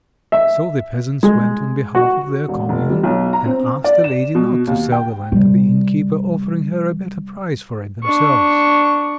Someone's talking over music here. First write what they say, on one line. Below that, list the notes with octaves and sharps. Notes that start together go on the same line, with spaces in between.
So the peasants went on behalf of their Commune, and asked the lady not to sell the land to the innkeeper; offering her a better price for it themselves.
E5
G#3
F#4
E1
F1
G3
B1
A#5
C4
D5
E7
B2
D#2
G5
C3 G3
D4 C#6